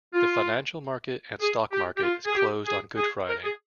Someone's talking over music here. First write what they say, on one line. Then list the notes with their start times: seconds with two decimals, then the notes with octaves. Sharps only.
The financial market and stock market is closed on Good Friday.
0.14 F4
1.40 G#4
1.72 G4
1.97 G4
2.03 F4
2.26 G#4
2.35 G4
2.66 G#4
2.97 G#4
3.28 A#4
3.44 G#4